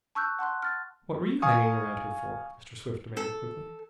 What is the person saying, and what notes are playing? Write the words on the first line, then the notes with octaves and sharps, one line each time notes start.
"What were you hanging around here for?" Mr. Swift demanded quickly.
A5 C#6 E6 F#6 G6
F#5 A5 C6 F#6
F6 A6
F5 G#5 C#6 D#6
A4